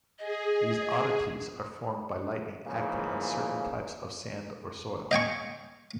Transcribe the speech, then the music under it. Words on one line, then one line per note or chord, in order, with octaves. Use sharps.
These oddities are formed by lightning acting on certain types of sand or soil.
G#4 D#5
G#2 C#3 E3 F3 A#3
D#5 G5 G#5 C#6